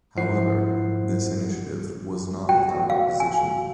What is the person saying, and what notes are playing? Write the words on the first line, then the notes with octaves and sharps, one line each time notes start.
However, this initiative was not without opposition.
G#2 F3 E4 C5 F#5 C7
F#4 G5
F5
G#5